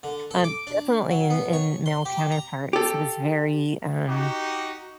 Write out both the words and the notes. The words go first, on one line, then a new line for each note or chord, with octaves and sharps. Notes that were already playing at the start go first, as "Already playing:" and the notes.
um, definitely in in male counterparts. I was very um
D3
A4
D6
D4
F#3
B3
C#5
C6
G4
A#5
G4 A4
D#4 F#4 G4